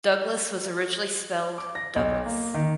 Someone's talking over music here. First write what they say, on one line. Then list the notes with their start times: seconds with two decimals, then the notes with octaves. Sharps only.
Douglas was originally spelled Douglass.
1.58 D6
1.75 A#6
1.96 B1
2.26 A#3
2.54 D#3